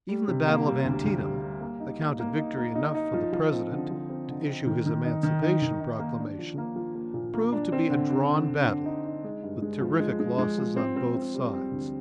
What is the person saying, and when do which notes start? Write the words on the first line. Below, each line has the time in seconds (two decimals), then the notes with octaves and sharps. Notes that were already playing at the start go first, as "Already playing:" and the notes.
Even the battle of Antietam, accounted victory enough for the President to issue his Emancipation Proclamation, proved to be a drawn battle, with terrific losses on both sides.
0.09 G3
0.28 C3
0.47 A#3
0.66 G3
0.85 D2
1.04 D2
1.24 G3
1.42 G3
1.61 A#3
1.80 D#4
2.00 A#3
2.19 A#3
2.38 D#4
2.57 A#3
2.75 D#4
2.95 D#4
3.13 F3
3.33 F3
3.52 C4
3.71 D3
3.91 F3
4.09 C4
4.29 D3
4.48 C4
4.66 D#3
4.86 D#3
5.04 D#4
5.23 D#3
5.43 D#4
5.62 D#3
5.81 D#4
5.99 A#3
6.20 D4
6.39 F3
6.58 A#3
6.76 F3
6.95 A#3
7.14 A#2
7.34 A#3
7.52 D4
7.72 C4
7.90 D3
8.10 D3
8.29 D3
8.48 D3
8.67 D3
8.85 D#4
9.05 D#4
9.24 G#3
9.43 G2
9.62 G#3
9.81 F3
10.00 G#3
10.20 G#3
10.38 G#3
10.58 F3
10.77 C4
10.96 C4
11.15 C4
11.34 G3
11.53 C4
11.72 D2